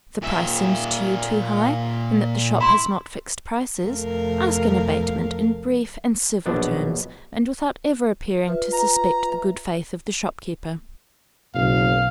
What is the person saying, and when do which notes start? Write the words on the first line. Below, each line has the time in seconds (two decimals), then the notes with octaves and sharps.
If the price seems to you too high, and that the shop has not fixed prices, ask an abatement in brief and civil terms, and without ever appearing to suspect the good faith of the shopkeeper.
0.22 A#2 E5
2.61 E4 B5 C6
3.84 F2 C3 A3 A#4 F5
6.46 A#1 B2 F#3 B3 D4
8.47 F4 B4 E5
8.73 A#5
11.55 F#1 B1 B2 F5